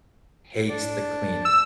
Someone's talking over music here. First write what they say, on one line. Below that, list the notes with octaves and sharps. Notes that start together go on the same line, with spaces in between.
hates the cleanup.
D4
E6